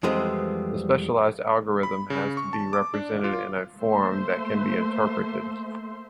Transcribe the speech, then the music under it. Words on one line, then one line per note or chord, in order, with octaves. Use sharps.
The specialized algorithm has to be represented in a form that can be interpreted.
F2 E3 G3 G#3 B3 C4
B5
C#3
C#6
A5
D6
D4
F4
A3 A#3 C5 E5 C6